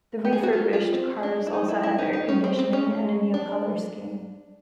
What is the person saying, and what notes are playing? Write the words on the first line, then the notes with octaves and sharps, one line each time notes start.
The refurbished cars also had air conditioning, and a new colour scheme.
G4
G#4
F#4
F4
F4
C4
D4
E4
D#4
E4
E4
D#4
D#4
C#4
C4
C4
C#4
D4